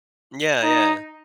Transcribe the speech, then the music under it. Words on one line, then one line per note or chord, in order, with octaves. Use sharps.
Yeah, yeah.
D#4